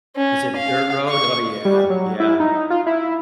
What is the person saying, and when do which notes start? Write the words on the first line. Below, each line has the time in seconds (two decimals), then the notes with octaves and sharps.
Is it dirt road? Oh, yeah, yeah.
0.16 C#4
0.56 F5
1.10 C#6
1.65 G3
1.90 F#3
2.20 E4
2.40 D#4
2.70 F4
2.87 E4